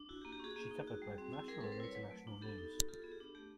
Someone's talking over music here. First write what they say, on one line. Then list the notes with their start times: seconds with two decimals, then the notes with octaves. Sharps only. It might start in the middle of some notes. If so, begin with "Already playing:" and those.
She covered both national and international news.
Already playing: D4
0.09 E4 F#4
0.21 G4
0.25 A#3
0.33 G4
0.40 C#4 F#4 G#4
0.56 A#3
0.71 D#4
0.87 F#4
1.02 G3
1.18 C4
1.33 E4
1.48 G3 G#4 A#4
1.61 C4 A4 B4
1.72 A#4 C5
1.80 E4 B4 C#5
1.95 F#3
2.11 A3
2.27 D4
2.41 B3 G4 A4
2.58 D#4
2.73 F#4
2.89 F4 G4 A4
3.02 B3 G#4
3.12 G4
3.20 D4
3.35 A3 G4